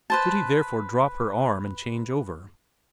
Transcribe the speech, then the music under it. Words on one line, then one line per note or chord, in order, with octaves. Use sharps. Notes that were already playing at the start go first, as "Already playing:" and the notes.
Should he therefore drop her arm and change over?
B4 C5 A5